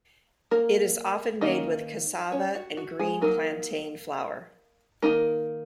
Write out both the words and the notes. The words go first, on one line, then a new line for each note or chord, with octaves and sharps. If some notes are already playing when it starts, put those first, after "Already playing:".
It is often made with cassava and green Plantain Flour.
A#3 A#4
D#3 A#3 C#4 D#4 D#5
C#4 C#5
F#4
F#4
G#3 G#4
F#3 A#3 D#4 A#4
D#3 F#3 A#3 D#4 A#4